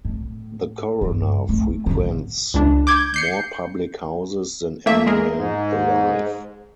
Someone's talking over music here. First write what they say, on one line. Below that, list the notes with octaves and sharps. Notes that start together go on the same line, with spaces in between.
The coroner frequents more public-houses than any man alive.
A2
G2
A3
A1 D3
C#2 D4
D6 G6 G#6
G6 C7 C#7
A3 A#3 E5
G#3 G#4 A#4
G#2